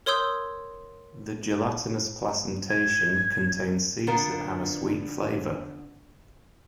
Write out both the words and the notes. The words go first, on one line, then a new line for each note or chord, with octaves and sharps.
The gelatinous placentation contains seeds that have a sweet flavor.
A#4 C#5 C6 D#6 E6 G6
G#6
D3 B3 D4 F4 A#4